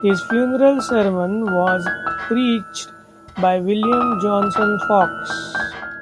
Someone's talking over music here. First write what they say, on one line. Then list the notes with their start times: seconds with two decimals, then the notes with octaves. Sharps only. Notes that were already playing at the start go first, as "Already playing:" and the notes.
His funeral sermon was preached by William Johnson Fox.
Already playing: E6
0.10 F6
0.30 G6
0.79 E6
0.89 F6
1.47 F6
1.67 F#6
1.86 G#6
2.06 E6
3.83 D#6
3.92 E6
4.01 D#6
4.12 D#6
4.42 E6
4.56 E6
4.61 F6
4.81 F6
5.01 F#6
5.30 G6
5.55 G6
5.60 G#6
5.82 F6